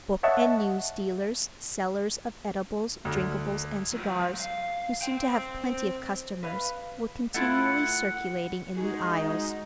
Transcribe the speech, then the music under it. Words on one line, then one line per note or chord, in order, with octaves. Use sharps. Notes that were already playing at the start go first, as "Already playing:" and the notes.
Book and news dealers, sellers of edibles, drinkables, and cigars, who seemed to have plenty of customers, were continually circulating in the aisles.
C#5 D#5 E5 F#5 A5 C#6
D2
F#3 F4
F5
C5 G5
B4 F5
A3 E4 F4 F#5
G#3 D#4 F#4 G#4